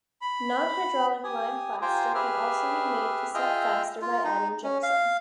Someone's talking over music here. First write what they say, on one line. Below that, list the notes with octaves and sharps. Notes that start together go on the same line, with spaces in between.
Non-hydraulic lime plaster can also be made to set faster by adding gypsum.
B5
G4 G#5 D#6
F4 G4 C5 G5 G#5 A#5
G4 G#4 B4 E5 F6
F4 G#4 D#5 E5 G5 F6
F4
D#4
C#4
F5